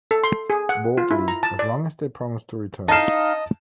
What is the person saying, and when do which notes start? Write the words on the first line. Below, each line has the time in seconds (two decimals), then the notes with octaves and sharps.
Baldy as long as they promised to return.
0.11 A4
0.24 C6
0.50 G#4
0.69 F#5
0.97 F4
1.11 E4
1.28 A#5
1.43 A5
1.59 D5
2.88 D#4 D#5 F5 A5 E7